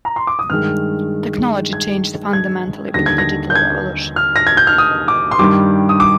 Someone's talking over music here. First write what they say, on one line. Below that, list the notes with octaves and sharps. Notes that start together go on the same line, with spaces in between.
Technology changed fundamentally with the digital revolution.
A#5
C6
D6
D#6
G2 D#3 G#3 F6
G#6
G#6
D#2 D3 G3 A#6
G#6
A#6
G6
G#6
F6
A#6
G#6
G6
F6
D#6
D6
C6
G2 D#3 G3 D6
D#6
D6